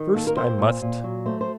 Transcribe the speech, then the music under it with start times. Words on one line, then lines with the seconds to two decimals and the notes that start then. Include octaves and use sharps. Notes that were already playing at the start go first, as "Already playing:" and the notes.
First I must.
Already playing: D#3
0.15 A#3 A4
0.27 A#4
0.37 C4 C5
0.59 A#2
0.82 A#2
1.04 F#3
1.26 A3 C5
1.41 C5